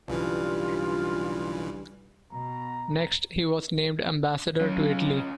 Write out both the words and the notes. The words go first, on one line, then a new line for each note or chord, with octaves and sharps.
Next, he was named ambassador to Italy.
B1 G2 C#3 E3 F4
B2 A#5
F#3 C#4 F4